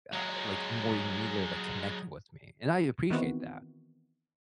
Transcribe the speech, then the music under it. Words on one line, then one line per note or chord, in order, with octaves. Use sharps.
uh, like, more immediately, like, connecting with me, and I appreciate that,
F#3 G#3
D#3 E3 B3 C4 F#4